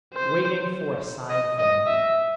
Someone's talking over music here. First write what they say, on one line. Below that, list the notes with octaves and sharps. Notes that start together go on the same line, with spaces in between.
Waiting for a sign from me.
C5
D#5
D#5
E5